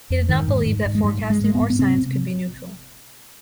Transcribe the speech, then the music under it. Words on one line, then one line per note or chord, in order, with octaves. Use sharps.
He did not believe that forecasting or science could be neutral.
F2
G#2 D#3
G#2
G#2
G#2
G#3
G#2 G3
G#2
G#3
G#2 G#3
B3
G#2
B3
C3 C4
C3